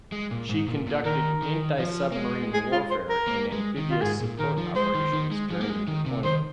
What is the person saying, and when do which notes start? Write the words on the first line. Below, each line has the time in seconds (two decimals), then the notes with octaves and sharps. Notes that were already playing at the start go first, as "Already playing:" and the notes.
She conducted anti-submarine warfare and amphibious support operations during the deployment.
0.12 G#3
0.31 A#2
0.49 G#2
0.68 A#2
0.87 A#2
1.05 D#3 A#4
1.42 D#3
1.79 F3
2.12 A#3
2.17 G#3
2.54 G#4
2.72 F4
2.90 C5
3.09 A#4
3.27 A#3
3.52 G#3
3.77 D#3
3.91 F4
4.02 G#2 G#4
4.21 A#2
4.39 D#3 A#4
4.58 F3
4.76 G#3 C5
4.95 D#3
5.13 D#3
5.32 G#3
5.51 F3
5.61 A#3
5.70 G#3
5.88 D#3
6.06 C3
6.24 D#3 C5